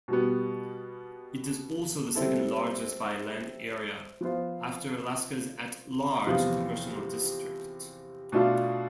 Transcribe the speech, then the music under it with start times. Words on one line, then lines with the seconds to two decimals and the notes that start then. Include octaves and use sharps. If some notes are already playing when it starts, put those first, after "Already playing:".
It is also the second-largest by land area, after Alaska's at-large congressional district.
0.08 B2 G3 B3
2.15 G3 C4 E4 A4
4.21 F3 B3 F4 C5
6.27 E2 C3 F3 B3 F4
8.32 B2 A3 D4 F4